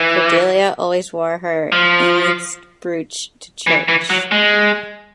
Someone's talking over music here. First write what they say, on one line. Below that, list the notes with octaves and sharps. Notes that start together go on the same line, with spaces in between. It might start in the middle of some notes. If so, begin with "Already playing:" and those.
Cordelia always wore her amethyst brooch to church.
Already playing: E3
F3
E3
E3
F#3
G#3